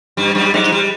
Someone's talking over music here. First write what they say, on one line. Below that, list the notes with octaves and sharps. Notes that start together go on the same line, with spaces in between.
I think it
G2 G3
G2 G3
G#2 G#3
G3